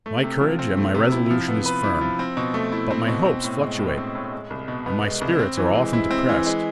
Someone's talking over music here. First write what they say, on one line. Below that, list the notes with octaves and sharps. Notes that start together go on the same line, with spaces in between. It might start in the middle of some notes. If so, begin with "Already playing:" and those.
My courage and my resolution is firm; but my hopes fluctuate, and my spirits are often depressed.
A3
C3
F3
C4
A3
C3
E4
F3
B3
B4
E4
F3
C4
B2
A3
E4
C4
B2
C4
A2
G#3
A2
C4
A2
G#3
C2
B2
B3
G#3
C2
C4
E3
G#3
E4
C4
E3
G#3